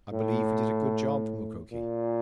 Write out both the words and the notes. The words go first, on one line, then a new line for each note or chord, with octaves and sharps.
"I believe we did a good job, Mukoki!"
A2
A#2